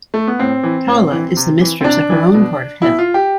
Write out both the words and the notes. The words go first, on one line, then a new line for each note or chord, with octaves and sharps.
Tala is the mistress of her own part of Hell.
A3
B3
A2 C4
E3
A2
E3
C3
E3
C4
C3 D4
E3
B2
B2 E4
F4
G4